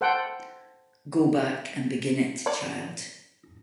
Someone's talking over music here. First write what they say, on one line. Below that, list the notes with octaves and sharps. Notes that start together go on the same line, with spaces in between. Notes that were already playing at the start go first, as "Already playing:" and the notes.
Go back and begin it, child.
A4 C5 F#5 G5
C#5 D5